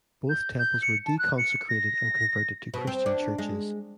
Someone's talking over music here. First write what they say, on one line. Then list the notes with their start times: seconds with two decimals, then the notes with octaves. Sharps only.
Both temples were deconsecrated and converted to Christian churches.
0.30 G6
0.59 G6
0.82 C#7
1.06 A5
1.19 F#6
1.38 C#7
1.69 A#6
2.74 B2
2.87 C4
3.06 D4
3.38 G#3